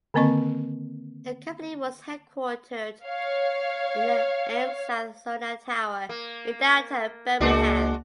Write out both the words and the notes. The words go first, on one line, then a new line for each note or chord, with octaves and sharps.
The company was headquartered in the AmSouth-Sonat Tower in downtown Birmingham.
D3 D#3 A#3 C4 D#5 C#6
C#5 F5
A#3
C#2 G#3 A#3 D4 F#4